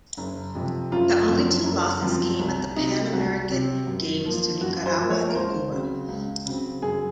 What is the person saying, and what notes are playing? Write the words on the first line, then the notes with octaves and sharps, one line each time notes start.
The only two losses came at the Pan American Games to Nicaragua and Cuba.
F#1
F2 C3
F#1 F4
F#2 F3 C4
F#1
F#2 F3 C4
C2
C3 F#3 C4 D#4
C2 F#4
C3 F#3 C4
F#2
F3 A#3
F#2 F#4
C5
F3 A#3
C#5
A#4
C#2 C5
C#3 F#3 C4
C#2
C#3 F#3 C4
F#2 G#4